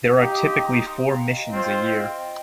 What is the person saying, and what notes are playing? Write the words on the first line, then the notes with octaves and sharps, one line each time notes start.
There are typically four missions a year.
D#4 G4 D#5 F5 A#5
G5 C6
A#5 D#6
G5 C6
F5 A#5
D#5 G5
C4 F4 C5